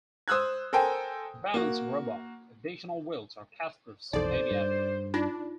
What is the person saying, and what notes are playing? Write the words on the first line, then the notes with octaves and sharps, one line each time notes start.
To balance the robot, additional wheels or casters may be added.
C5 D#6 E6 F#6 G#6
A4 A#4 C5 G5 G#5
A#3 F#4
B1 F2 E3 D#4 A4 C5 D5
G2
D4 D#4 F4